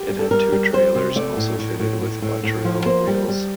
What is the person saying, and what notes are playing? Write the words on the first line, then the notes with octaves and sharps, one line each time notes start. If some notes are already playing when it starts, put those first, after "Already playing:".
It had two trailers also fitted with Bottrill wheels.
Already playing: G4
G3
A4
G3 A#4
G3
G3 C5
C3
A3 D5
A2
A2
A2
A2
A2
A2
F3
A#3 C5
G3
G3